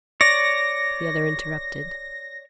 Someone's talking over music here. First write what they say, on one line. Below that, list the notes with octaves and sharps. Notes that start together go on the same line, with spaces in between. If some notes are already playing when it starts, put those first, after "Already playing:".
The other interrupted.
C#5 D5 A#6